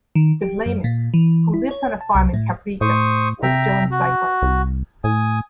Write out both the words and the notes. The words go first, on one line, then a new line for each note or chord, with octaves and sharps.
De Vlaeminck, who lives on a farm in Kaprijke, is still in cycling.
D#3
G4
F#2
A#2
E3
E4
C#5
A5
C2
A2
A2 C5 C#6 D#6
C3 E5 G5 A#5
F#4
C2
A2 G#5 D#6